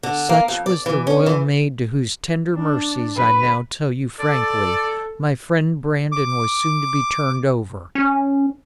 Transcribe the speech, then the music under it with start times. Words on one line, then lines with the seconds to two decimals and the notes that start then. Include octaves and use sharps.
Such was the royal maid to whose tender mercies, I now tell you frankly, my friend Brandon was soon to be turned over.
0.03 D3
0.29 A#3
0.48 F2
0.66 D5
0.86 E3
1.07 C#4
1.26 E3
2.55 D4
3.16 B4
4.20 A4 D5
6.12 D6
7.95 C#4